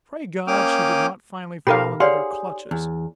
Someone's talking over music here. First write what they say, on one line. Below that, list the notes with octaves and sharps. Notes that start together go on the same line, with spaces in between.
Pray God she did not finally fall into their clutches!
A#3 C#4 G5 D6 D#6 F6
B2 D#4 G4 A4 A#4 F5 B5
G4 G#4 C#5 D5 F5 F#5 C6
E2